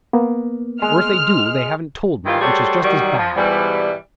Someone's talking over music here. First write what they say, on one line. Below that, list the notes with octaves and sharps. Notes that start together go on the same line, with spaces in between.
Or if they do they haven't told me, which is just as bad.
A#3 B3
G#3 F6
D#3 E3 G3 E4 F4
G3 A3 F#4 G#4 C5 C#5
D#3 F#3 G3
F3
G#2 B2 E3 G3